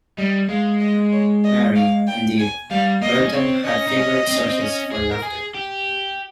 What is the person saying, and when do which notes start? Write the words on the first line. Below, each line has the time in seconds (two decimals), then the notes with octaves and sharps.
Merry, indeed, Burton had favourite sources for laughter.
0.18 G3 D#5
0.49 G#3 F5
0.81 D#5
1.12 C#5
1.44 D#5
1.76 F5
2.07 G5
2.39 G#5
2.71 G3 F5
3.02 A#3 D#5
3.15 D#4
3.24 C#4
3.34 C4 C#5
3.65 C#4 D#5
3.88 D#4
3.97 C#4
4.28 C4
4.37 C#4
4.47 C4
4.60 C#4
4.91 G#4
5.12 A#4
5.23 G#4
5.55 G4